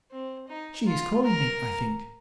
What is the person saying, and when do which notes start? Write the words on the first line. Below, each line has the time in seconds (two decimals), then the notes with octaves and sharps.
"She is calling me, I think."
0.11 C4
0.48 D#4
0.86 F4
1.23 A#4